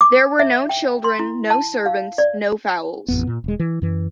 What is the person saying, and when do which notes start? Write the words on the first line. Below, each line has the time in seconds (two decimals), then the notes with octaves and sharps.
There were no children, no servants, no fowls.
0.01 D6
0.39 E5
0.69 G5
1.04 C6
1.19 E4
1.50 A5
1.86 F5
2.18 D5
3.08 A1 F2 B3
3.27 A#2
3.44 E1 G#3
3.59 E3
3.82 F#2 E3